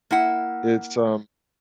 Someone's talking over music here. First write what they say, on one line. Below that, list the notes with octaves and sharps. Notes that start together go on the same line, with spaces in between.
it's, um,
A#3 E4 F#5